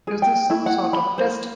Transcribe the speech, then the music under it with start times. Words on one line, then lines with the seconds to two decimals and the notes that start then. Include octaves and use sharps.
Is this some sort of test?
0.07 G#4
0.22 G5
0.50 E4
0.66 F#5
0.93 B5
1.18 C5